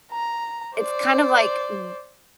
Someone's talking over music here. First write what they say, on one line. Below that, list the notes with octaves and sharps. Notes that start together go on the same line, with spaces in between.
it's kind of like, m
A#5
C5 D5